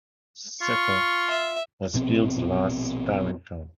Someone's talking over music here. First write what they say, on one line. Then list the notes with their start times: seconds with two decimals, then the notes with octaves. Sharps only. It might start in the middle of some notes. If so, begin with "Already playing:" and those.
"Sucker" was Fields' last starring film.
0.62 F4 C#6
1.30 E5
1.94 A#1 B2 C4